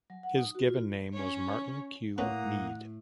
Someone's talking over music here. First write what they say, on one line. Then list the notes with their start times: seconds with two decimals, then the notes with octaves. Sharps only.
His given name was Martin Kew Meade.
0.10 F#3
0.23 F#5
0.38 D#4
0.55 F#4
0.68 F4
1.13 C#4 C#5
2.18 A2 A3 A#3 C#4 B4 F#5 A#5 D#6